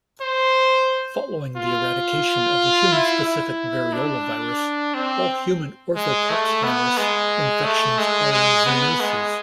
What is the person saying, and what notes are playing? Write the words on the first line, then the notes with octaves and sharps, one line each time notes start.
Following the eradication of the human-specific variola virus, all human Orthopoxvirus infections are zoonoses.
C5
F4
E4
E4
D4
C4
G#3
A3
B3
G#3
A3
G#3
G#3
B3
G#3